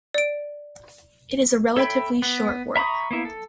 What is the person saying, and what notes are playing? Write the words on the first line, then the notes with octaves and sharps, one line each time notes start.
It is a relatively short work.
D5 D7
A4 C#5 E5 G5 B5
B3
E5 A#5 B5 C#6 D#6
A#3 B3 E4
A4